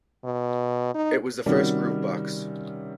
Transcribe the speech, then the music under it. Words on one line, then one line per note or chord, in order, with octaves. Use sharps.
It was the first groovebox.
B2
D#4
C3 D#3 G3 C#4 F#4